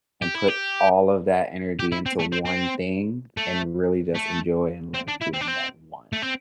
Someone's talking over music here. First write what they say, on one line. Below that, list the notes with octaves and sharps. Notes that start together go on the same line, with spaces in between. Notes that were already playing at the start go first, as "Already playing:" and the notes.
and put all of that energy into one thing and really just enjoy and love doing that one
G4
E4
G4
G4
E4
C4
A3
C4
C4
A3
A3
C4
D4
E4
C4
D4
C4
A3
C4